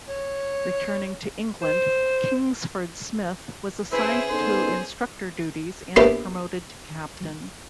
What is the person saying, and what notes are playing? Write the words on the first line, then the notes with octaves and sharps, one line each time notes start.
Returning to England, Kingsford Smith was assigned to instructor duties and promoted to Captain.
C#5
C5
C#4 E4 G#4 B4 C5 E5
B3 D#4 A4 C5
A#3 B3 D4 E4 G4 C5